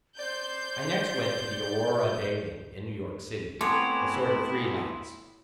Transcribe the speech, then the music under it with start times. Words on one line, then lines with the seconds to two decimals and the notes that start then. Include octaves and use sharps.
I next went to the "Aurora" daily in New York city--a sort of free lance.
0.19 C5 D5 G6
3.61 A3 B3 C4 E4 C#5 G#5 C6 D6